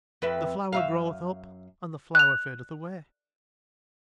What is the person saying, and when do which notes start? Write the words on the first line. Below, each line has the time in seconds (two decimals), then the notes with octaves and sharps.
The flower groweth up and the flower fadeth away.
0.22 F2 B4 E5
0.73 F#2 E5 F5
2.15 F#6 F7